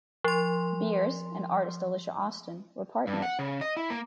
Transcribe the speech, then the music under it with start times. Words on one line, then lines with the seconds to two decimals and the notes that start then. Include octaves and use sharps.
Beers and artist Alicia Austin were partners.
0.24 F3 C6
3.07 G2
3.22 F#5
3.39 C#3
3.61 D#5
3.77 E4
3.90 A#3